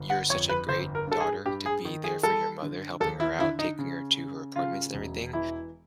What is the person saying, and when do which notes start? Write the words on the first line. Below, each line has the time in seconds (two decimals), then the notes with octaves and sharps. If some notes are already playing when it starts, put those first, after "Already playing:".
you're such a great daughter to be there for your mother, helping her out, taking her to her appointments and everything.
Already playing: G1
0.10 F#5
0.30 F2 C#5
0.49 B4
0.68 G1 C5
0.95 A#4
1.07 G2 A4
1.20 G#4
1.46 G2 G4
1.66 G#4
1.85 D#3
2.04 G#4
2.23 G3 A4
2.62 D3
3.00 D#2 A4
3.20 E4
3.39 D3 E4
3.59 D#4
3.79 C#3
4.17 C#3
4.56 C#3 F4
4.94 E1
5.33 E3 E4